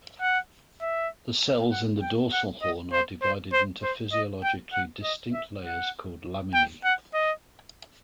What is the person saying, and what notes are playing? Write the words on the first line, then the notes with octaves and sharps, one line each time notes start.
The cells in the dorsal horn are divided into physiologically distinct layers called laminae.
F#5
E5
F#5
G5
F#5
D#5
C5
C5
C5
C5
D#5
G5
F#5
D#5
E5
F#5
G5
F#5
D#5